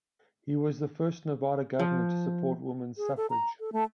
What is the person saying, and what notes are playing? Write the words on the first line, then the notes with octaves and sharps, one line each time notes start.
He was the first Nevada governor to support Women's Suffrage.
F3
G#4
A4
A#5
A4
A3